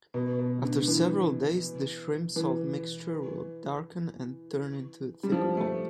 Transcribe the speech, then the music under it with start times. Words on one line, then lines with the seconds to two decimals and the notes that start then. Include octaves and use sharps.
After several days, the shrimp-salt mixture will darken and turn into a thick pulp.
0.14 B2
0.39 B2
0.64 D3
0.82 D3
0.88 E3
2.36 E3
5.23 G3
5.32 F3
5.57 A3